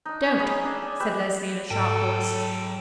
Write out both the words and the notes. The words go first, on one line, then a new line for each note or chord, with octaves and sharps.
"Don't," said Leslie in a sharp voice.
D4 D#4
G#4 B4 D#5 F5
D4 D5 E5
G#5
G4 B4 E5
G#2 F#3 A4 G5